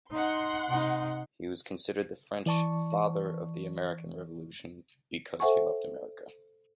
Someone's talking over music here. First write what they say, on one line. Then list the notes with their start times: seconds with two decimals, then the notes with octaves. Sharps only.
He was considered the French "Father of the American Revolution" because he loved America.
0.11 D#4 F#5 C6
0.67 C3 D#4
2.46 E3 D5 A5 C#6
5.40 A4 C5 E5 F#5 G#5 C#6